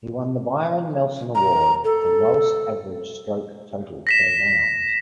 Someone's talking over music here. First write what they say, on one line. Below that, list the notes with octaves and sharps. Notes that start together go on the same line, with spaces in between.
He won the Byron Nelson Award for lowest average stroke total per round.
A#5
A4
A#6 B6 E7